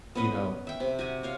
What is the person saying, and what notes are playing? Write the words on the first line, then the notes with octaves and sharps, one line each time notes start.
you know,
B3 C#4 B4 D#5
E5 G5
C3
F#4 G4 G#5
C5 C#5 F5